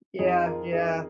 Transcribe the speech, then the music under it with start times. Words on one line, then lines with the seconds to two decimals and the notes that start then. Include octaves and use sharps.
Yeah, yeah.
0.19 F2 F3 D#4 G#4
0.46 F4 A#4
0.73 D#4 G#4